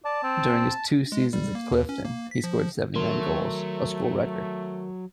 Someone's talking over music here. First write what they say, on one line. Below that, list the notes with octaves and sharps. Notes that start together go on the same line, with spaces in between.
During his two seasons at Clifton, he scored seventy-nine goals, a school record.
D5 A5
C4
G#3
G3
A#3
D#2
C#4
A#3
B6
F3
D#3 F#3 A3 A#4 C6